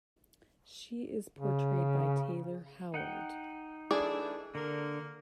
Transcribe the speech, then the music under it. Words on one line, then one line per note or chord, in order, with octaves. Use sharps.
She is portrayed by Traylor Howard.
C#3
D#4 F#5 G5
E3 A3 D4 G#4 D5
D3 A#3 A#4